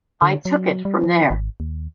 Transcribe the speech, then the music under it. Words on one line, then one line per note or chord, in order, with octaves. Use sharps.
I took it from there.
D3
F#3
G3
F3
G#1
D#2